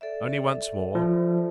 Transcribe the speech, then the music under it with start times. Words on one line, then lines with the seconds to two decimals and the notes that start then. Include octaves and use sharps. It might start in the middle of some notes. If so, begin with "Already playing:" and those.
"Only once more."
0.01 A4 D5 E5
0.95 F3